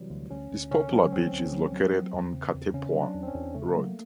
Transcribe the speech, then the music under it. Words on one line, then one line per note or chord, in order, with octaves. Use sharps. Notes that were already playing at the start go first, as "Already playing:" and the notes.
This popular beach is located on Katepwa Road.
Already playing: C3 E3 F#3 G3
D2
D2 C#4
D2
C#3 C#4
F#3
D2 C4
D2
F#3
F#3
F#3
E2
C#3
E2
C#3 C#4
F#3
D4
E2
C4
C#4
E2
C#3 A3
F#3 A#3